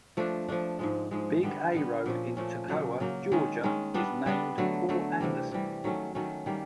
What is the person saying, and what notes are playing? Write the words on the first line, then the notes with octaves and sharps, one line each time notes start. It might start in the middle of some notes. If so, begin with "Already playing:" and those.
Big A Road in Toccoa, Georgia is named for Anderson.
F3 A3 D4
F3 A3 D4
G#2 F3 G#3
G#2 F3 G#3
D3 G3 B3
D3 G3 B3
A#2 F3 A3 C#4
A#2 F3 A3 C#4
C#3 F#3 A#3
C#3 F#3 A#3
D#3 G#3 C#4
D#3 G#3 C#4
G3 B3 D4
G3 B3 D4
D3 F#3 A3
D3 F#3 A3
C3 E3 G3
C3 E3 G3
D#3 F#3 A3 C#4
D#3 F#3 A3 C#4
D#3 G3 A#3